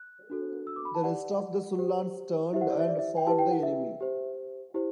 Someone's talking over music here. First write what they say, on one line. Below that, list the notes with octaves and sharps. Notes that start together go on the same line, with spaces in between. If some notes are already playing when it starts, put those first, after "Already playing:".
The rest of the Sullans turned and fought the enemy.
Already playing: F#6
D4 F#4 A4
E6
D6
B5
A5
G4 D5 F#5
G4 C5
E4 G4 C5 E5
F#5
D5
E5
D5
E5
G5
E4 G4 B4 A5
G5
F#5
E5
G4 C5
E4 G4 C5